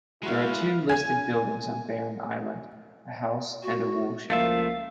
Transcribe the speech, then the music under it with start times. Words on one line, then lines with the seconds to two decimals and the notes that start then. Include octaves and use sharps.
There are two listed buildings on Barren Island, a house and a woolshed.
0.23 G#3 E4 F#4 B4 C#5 F5
0.89 G#5 G#6
3.63 F#4
4.30 C#2 F3 A3 A#3 F4 E5 F5